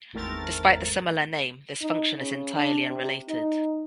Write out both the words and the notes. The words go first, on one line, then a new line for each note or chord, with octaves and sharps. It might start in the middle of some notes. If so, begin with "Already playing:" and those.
Despite the similar name, this function is entirely unrelated.
G#1 E2 A3 C4 A#4 A6
D#4
C#3
D4
C3
D#4